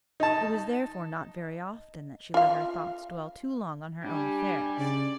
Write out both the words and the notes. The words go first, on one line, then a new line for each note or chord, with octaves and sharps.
It was therefore not very often that she let her thoughts dwell too long on her own affairs.
D#4 A5
F4 F5
G3 D4 G#5
C#3 D5